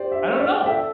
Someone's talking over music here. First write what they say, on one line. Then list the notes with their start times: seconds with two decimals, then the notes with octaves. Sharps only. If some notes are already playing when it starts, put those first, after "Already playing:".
I don't know 'em,
Already playing: G4 C5 D5
0.12 E5
0.39 D5
0.63 G5
0.66 A4 E5